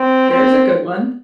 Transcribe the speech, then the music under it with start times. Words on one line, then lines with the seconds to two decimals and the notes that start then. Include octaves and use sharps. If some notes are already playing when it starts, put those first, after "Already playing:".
There's a good one.
Already playing: C4
0.30 C4